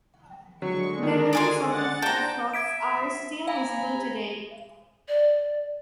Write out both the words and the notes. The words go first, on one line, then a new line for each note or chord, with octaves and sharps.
The ruins of his shops are still visible today.
D3 F#3 G#3 C#6
D#3 D4 A#4
D5 G#5 C6
F#5 A6
D4 C5 G5 A5 A#5
E5 G#6 B6 D7
F5 G#5 A#5 B5
D5